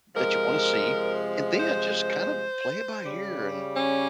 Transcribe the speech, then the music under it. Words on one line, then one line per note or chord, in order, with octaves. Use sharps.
that you wanna see, and then just kinda play it by ear, and
C3 F3 G#3 A#4
C5
C#3 G3
C#4